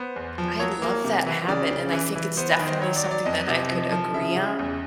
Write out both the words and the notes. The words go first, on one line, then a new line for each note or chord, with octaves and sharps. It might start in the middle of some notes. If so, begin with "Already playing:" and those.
I love that habit, and I think it's definitely something that I could agree on,
Already playing: B3 C5
E2
F3
F#3 C#5
A#3
C3
E3
C#3 D5
C#3
E3
E3
B3 C5
B4
D#3
C5
F#3 C#5
D5
F#3
D5
F2 D#5
C3
F3
F3
C#3 E5
C#3
E2